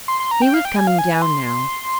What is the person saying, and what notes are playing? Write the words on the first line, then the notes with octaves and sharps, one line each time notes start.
He was coming down now.
C6
C6
A#5
G5
F5
G5
G#5
F5
G#5
C6